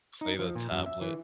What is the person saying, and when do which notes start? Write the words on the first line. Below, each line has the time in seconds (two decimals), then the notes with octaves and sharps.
play the tablet.
0.21 D#4
0.39 F3
0.55 A#2
0.72 F#2
0.86 E5
1.01 E3